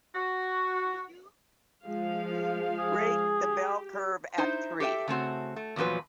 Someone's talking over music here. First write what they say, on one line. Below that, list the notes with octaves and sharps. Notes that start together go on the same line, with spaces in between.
Rate The Bell Curve a three.
F#4
F3 G#3 F5
G#4
G4
D#4 E4 C5
G4 A4 B4 E5 G5
C#3 A3 C4 F#4
A3
E2 A#2 F3 F#3 B4